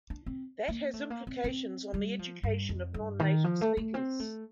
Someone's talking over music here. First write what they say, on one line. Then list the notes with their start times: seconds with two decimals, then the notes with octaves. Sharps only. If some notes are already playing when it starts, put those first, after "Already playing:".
That has implications on the education of non-native speakers.
0.10 D4
0.26 C4
0.68 A#3
0.94 A3
1.10 A#3
1.27 C4
1.44 C4
1.94 G3
2.19 F3
2.43 G2
2.69 F2
2.94 G2
3.19 D#3
3.44 F3
3.61 A3
3.77 A3
3.94 C4
4.20 A3